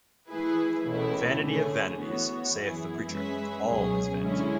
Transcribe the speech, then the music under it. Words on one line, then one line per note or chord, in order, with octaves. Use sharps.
Vanity of vanities, saith the preacher; all is vanity.
E3 A3 E4 G#4 B4
C#2 B2 A3 E4
D3 A3 C#4 G#4
E3 B3 F#4 C#5
F#2 E3 B3 E4 G#4
G#3 C#4 G#4 B4 E5
C#2 B2 F#3 C#4 G#4
D3 G#3 C#4 E4 G#4